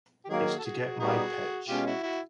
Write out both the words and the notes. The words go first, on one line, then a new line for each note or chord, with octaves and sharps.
It's to get my pitch.
G4
D#3 F#3 A#3 F#4 G#4
A4
F#4 G#4
G3 B3 D#4 F#4 G#4
B2 G#3 C#4 F4 G4
E4 F#4
E4 F#4